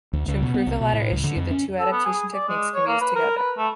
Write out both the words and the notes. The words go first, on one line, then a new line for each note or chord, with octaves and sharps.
To improve the latter issue, the two adaptation techniques can be used together.
D2
C#2
B2
B3
C2
B2
A2
C#2
D3
F2
C#4
A4
B3
G#4
D5
G#3
C#5
A#3
B4
A#4
B4
A3